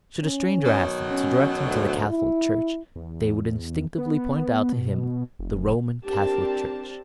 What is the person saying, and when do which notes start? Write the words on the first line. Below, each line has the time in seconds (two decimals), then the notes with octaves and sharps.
Should a stranger ask them to direct him to the Catholic Church they would instinctively point out to him the Roman Catholic Church.
0.23 C#4
0.65 B2 D#3 F#3
1.09 C#4
1.64 D2
2.09 E4
2.96 E2
3.98 B3
4.73 B2
5.39 F1
6.06 C4 D4 G4 A#4 A5